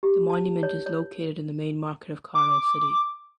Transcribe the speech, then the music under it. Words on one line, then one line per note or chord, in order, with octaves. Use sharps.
The monument is located in the main market of Karnal City.
G4
A5
C#5
C#5
D6